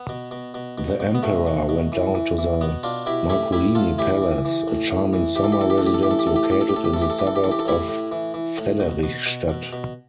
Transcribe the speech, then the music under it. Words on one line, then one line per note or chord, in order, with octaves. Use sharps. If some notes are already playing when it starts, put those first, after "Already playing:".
The Emperor went down to the Marcolini Palace, a charming summer residence located in the suburb of Frederichstadt.
Already playing: B3
B2
B2
B2
B2
B2
B3
B2 A3
B2
B2
E3
E3
E3
B2 B3
B2 D4 F4
B2 E4 G4
A2 E4 G4
A2 E4 G4
A2 F4 A4
E3 E4 G4
E3
E3
A2
A2
E3
E3 G4
A4
G4
E3 A4
G4
A4
A2 G4
A4
E3 G4
A4
G4
A2 A4
G4
A4
A2 G4
A4
G4
A2 A4
G4
E3 A4
G4
A4
E3 G4
A4
G4
E3 A4
G4
A4
A2 E4 G4
A2
E3
E3
A2
B2
B2
B2
B2
B2